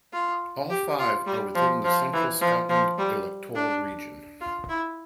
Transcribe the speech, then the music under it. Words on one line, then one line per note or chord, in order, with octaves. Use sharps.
All five are within the Central Scotland electoral region.
F4
G4
F4
G3
F3
F3
E3
F3
F3
G3
D4
F4
E4